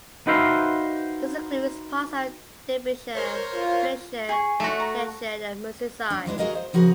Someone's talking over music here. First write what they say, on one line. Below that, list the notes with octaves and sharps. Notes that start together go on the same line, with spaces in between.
This includes parts of Denbighshire, Flintshire, Cheshire and Merseyside.
D#4 F#4 B4 C5 E5 F5
A#4 C5 C#5
F4
G#4 G#5 C#6
A3 F#4
A#5
D4
F#3 G#3 D4 E4
F#4 G#4 A#4 D#5 F5
C5
C#3 F3 F#4 G#4 A#4